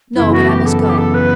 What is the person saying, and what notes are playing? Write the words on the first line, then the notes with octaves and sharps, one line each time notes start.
"No, but I must go."
F#2 C#3 E3 B3 E4
F#4
G4
A4
A4
G4
A4
B4